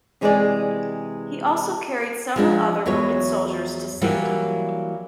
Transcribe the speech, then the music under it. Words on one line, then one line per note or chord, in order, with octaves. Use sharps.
He also carried several other wounded soldiers to safety.
C3 E3 G#3 G#4 C5 D5
F3 G#3 D4
E2 F#3 G#3 B4 C#5
E3 F#3 G3 A#3